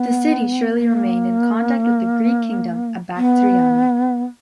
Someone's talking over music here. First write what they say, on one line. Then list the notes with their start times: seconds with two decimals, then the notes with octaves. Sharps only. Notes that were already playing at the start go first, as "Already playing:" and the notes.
The city surely remained in contact with the Greek Kingdom of Bactriana.
Already playing: B3
0.78 A#3
3.16 B3